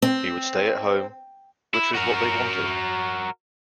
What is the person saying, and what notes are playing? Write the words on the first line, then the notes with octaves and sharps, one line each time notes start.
He would stay at home, which was what they wanted.
C4
E4
F#4 A#4